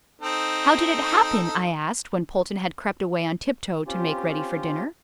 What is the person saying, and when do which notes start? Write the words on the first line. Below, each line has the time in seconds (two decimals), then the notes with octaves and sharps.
"How did it happen?" I asked when Polton had crept away on tip-toe to make ready for dinner.
0.21 C4 D#4 A4
3.87 C4 C#4 F4 G4